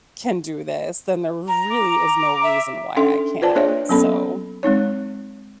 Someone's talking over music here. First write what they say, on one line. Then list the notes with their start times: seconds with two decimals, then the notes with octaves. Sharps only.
can do this then there really is no reason why I can't, so
1.48 A#5
1.71 D6
2.43 E5
2.96 C#4 D4 A4 E5 G5 C6
3.42 F4 B4 C5 D5 A5
3.55 A#3 D4 G#4 C5 C#5 E5
3.89 F#3 A#3 B3 C#4 A4 B5
4.63 G#3 C4 D#4 C#5